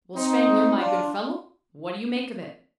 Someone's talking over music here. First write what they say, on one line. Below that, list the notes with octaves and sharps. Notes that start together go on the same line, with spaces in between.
"Well, Spangler, my good fellow; what do you make of it?"
C4 D#4
D4 F4